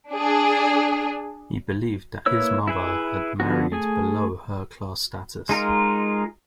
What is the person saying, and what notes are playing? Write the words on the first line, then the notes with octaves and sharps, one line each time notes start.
He believed that his mother had married below her class status.
D4 G#4
A#3 E4 B4 C#5 E6
E4 G#4 B4 E5
D3 F3 B3 F#4
A3 G#4 G#5
G#3 D#4 F4 A#4